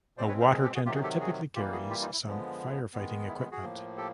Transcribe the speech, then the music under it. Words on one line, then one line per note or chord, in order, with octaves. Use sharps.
A water tender typically carries some fire fighting equipment.
B2 G#3 C4 C5 D5
B4 C#5
A#4 C5
G#4 A#4
G4 A4
F#4 G#4
C3 D#3 F#3 F4 G4
F#4 G#4
G4 A4
F#4 G#4
E3 G3 A#3 F4 G4
F#4 G#4
F4 G4
D#4 F4
E4
D3 F3 G#3 B3
D#3 G#3 B3
E4
E4 F#4
F#4 G#4
A2 F3 A#3
G4 A4